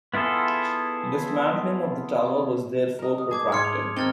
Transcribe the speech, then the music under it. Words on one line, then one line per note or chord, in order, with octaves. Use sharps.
Dismantling of the tower was therefore protracted.
B3 E4 F4 G#4 A4
A#4 D#5
D#6
G#4 A5 D6 G#6
G#2 C6 F6 G#6 C#7
F7
D#3 C4 A#4 F6 A6 G7